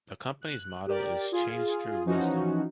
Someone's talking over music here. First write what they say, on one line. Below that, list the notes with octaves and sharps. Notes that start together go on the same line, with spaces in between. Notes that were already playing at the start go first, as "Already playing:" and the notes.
The Company's motto is 'Change through Wisdom'.
F#6
G4 A#4 D5
F4 G#4
E3 F3 C#4 D#4 F#4